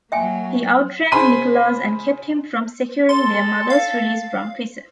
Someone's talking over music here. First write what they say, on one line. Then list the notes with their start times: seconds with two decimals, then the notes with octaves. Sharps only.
He outranked Nicholas and kept him from securing their mother's release from prison.
0.12 F#3 A#3 E5 G5 G#5
1.12 C#3 C5 G#5 B5 C6 D#7
3.09 A4 C6
3.70 F5